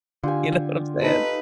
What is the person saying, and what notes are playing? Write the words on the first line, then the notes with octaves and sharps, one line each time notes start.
you know what I'm saying?
D3 F4 G4 G#5
D#4 A4 B4